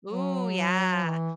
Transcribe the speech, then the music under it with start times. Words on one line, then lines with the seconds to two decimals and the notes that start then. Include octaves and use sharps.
Ooh, yeah.
0.11 F#3
1.06 E3